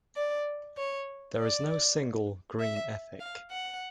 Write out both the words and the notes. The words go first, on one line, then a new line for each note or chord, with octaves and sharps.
There is no single "Green Ethic".
D5
C#5
D5
E5
F5
F#5